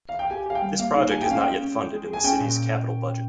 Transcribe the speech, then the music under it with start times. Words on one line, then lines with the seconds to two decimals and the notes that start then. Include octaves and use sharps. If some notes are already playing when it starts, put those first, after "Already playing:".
This project is not yet funded in the City's Capital Budget.
0.09 F5
0.19 G5
0.30 G4 G#5
0.46 G4 F5
0.55 G5
0.62 G3
0.79 A#3 F5
0.95 D#4 F5
1.11 G4 G#5
1.21 G5
1.27 C#4 F5
1.40 G#3 G5
1.60 C#4
1.75 G#3
1.93 G#3
2.08 G#4
2.13 G#5
2.24 C#4 G5
2.41 A#2